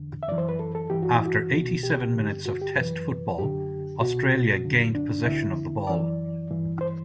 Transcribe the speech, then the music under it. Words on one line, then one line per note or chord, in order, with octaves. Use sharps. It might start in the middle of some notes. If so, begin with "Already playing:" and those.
After eighty-seven minutes of test football, Australia gained possession of the ball.
Already playing: E2 D3
E5
F#2 E3 D5
C5
B4
A4
A4
G2 E3 G4
F#4
E4
F#4
C2 B2
G4
G2 D3
F#4
G4
F#2 E3 B4
F#2 D3 G4
C2 B2 F#4
F#2 D3
D4
D2 D3 E4
F#2 E3 D5
G2 E3
C5